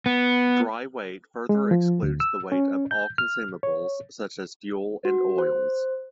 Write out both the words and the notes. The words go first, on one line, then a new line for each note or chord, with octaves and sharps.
Dry weight further excludes the weight of all consumables, such as fuel and oils.
B3
G#3
F3
D2
E6
C#4
G6
F6
C#5
F#4
C5